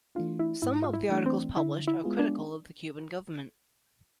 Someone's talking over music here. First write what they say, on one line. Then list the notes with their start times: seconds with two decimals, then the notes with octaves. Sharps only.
Some of the articles published are critical of the Cuban government.
0.15 E3 A3 D4 F4
0.39 E4
0.62 G#2 E4
0.84 F4
0.93 E4
1.09 E3 A3 D4
1.26 C4
1.57 D3 E4
1.88 E4
2.04 G#3 B3 F4 G#4
2.19 D4